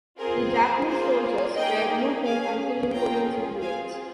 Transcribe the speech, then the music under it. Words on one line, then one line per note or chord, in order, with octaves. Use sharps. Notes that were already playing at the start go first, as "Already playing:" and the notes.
The Japanese soldiers were looting and killing Korean civilians.
C4 F4 G#4 A#4
C5
A#3 F4 G#4 C5
A#3 D#4 G#4 D#5 G5
C#4 G#4 F5 G#5
C#4 F4 G#4 G5 A#5
C4 F4 G#4 F5 G#5